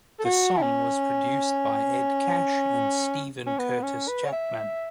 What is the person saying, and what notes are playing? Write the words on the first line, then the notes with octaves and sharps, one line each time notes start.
The song was produced by Ed Cash and Steven Curtis Chapman.
A4
F#4
E4
C#4
C#4
B3
C#4
B4
C#5
E5